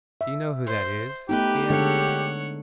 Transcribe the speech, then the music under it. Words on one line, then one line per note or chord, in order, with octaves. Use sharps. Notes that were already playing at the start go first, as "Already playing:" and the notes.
"Do you know who that is?" he asked.
E5
C5
A3 B3 D#4 G4 B4 G5
D3 G#3 A4 C#5 F#5